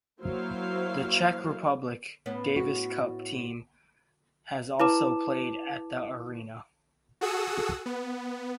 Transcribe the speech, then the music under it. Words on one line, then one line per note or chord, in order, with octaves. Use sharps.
The Czech Republic Davis Cup team has also played at the arena.
F#3 A#3 E4 C5 F5
A2 B3 C#4
F#4
E4 B4 A5 D6 E7
F#4 G#4 A4 F#5 D#6 E6
B3